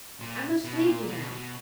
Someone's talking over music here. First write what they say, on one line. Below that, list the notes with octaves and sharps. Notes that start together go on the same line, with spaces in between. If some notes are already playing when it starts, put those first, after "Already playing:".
I must leave you now.
A#2
B2
A#2
B2
B2